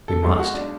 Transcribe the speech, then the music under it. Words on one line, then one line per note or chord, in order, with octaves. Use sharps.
We must.
A4
B1 B2 G#3 A4
F#4
D4